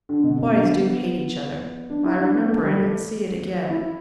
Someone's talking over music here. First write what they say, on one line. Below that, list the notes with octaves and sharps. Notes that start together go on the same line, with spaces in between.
Boys do hate each other: I remember it, and see it again.
D3
B2
B2
D3
B3
D4
E4
D4
B3
A3
G3
A3
E4